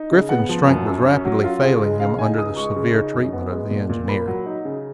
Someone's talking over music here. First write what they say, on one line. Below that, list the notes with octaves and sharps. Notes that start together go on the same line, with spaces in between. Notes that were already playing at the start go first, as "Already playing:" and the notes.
Griffin's strength was rapidly failing him under the severe treatment of the engineer.
Already playing: D#4
C#3
B3 F#5
F3
F#2
F#2
C#4
F#3
F4
C#3
G#3
C#3 F5
D#4 G#5
C#2 D#6
G#3 C#6
C#3
D#4
F#2
B3
G#3
A#2
A#2
A#3 B5
F#3
D#4
C#3